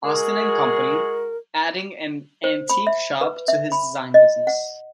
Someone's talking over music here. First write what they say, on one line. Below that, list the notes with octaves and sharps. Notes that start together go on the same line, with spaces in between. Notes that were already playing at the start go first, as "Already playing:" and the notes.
Austin and Company, adding an antique shop to his design business.
G#3 F#4 G#4 A#4
C5
B5
E5
B4
E5
B5
D#5
F#5